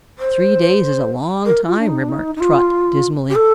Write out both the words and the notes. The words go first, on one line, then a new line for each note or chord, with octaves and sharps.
"Three days is a long time," remarked Trot, dismally.
C5
A#4
F4
D4
D#4
D4
D#4
D#4
F4
G4
A4